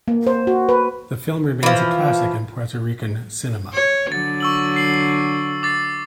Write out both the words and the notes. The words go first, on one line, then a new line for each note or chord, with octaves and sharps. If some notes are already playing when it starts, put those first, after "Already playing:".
The film remains a classic in Puerto Rican cinema.
A#3
C5
F#4
B4
E3 F3
C#5
D3 F#3 A6
C#6 E6 F#7
C7 F#7
D6 A6 C7